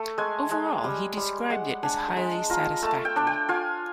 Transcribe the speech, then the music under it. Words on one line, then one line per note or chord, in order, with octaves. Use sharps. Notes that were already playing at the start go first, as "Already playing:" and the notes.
Overall he described it as 'highly satisfactory'.
Already playing: A3
G#3 G#5
G#3
G3
G3
G#3 F#5
D4 G#5
A#5
G#3 A5
F4 A#5
A3 A5
G5
D4
G5
F4 G#5